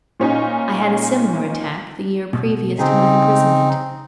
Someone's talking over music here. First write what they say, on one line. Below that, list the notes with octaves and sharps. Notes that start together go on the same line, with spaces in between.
I had a similar attack the year previous to my imprisonment.
A#2 C#4 D#4 G#5
B2
C#3 C4 D#4 G#4